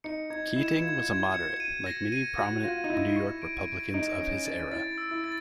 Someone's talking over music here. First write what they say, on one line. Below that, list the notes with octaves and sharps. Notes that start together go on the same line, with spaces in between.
Keating was a moderate, like many prominent New York Republicans of his era.
D#4 C#7
D#4 G#6
E4 E7
F4 G#6
G#6
F#4
C#7
D#7
A#6
D#7
F#4 A#6
F4 A#6
D#4
E4 A#6
C#6
D7
D7
D#4 D7
C#4 D7
D4 A6
E4 A6
E6
E4
A6